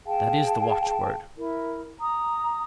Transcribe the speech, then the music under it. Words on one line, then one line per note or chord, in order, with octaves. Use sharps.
That is the watch-word.
G#4 F5 G5 A5
E4 A#4
A#5 D#6